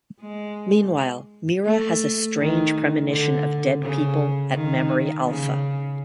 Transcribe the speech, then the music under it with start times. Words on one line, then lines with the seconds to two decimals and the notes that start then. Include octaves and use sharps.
Meanwhile, Mira has a strange premonition of dead people at Memory Alpha.
0.21 G#3
1.65 A3
2.37 D#3
3.10 D3
3.82 C#3
4.54 D#3
5.27 C#3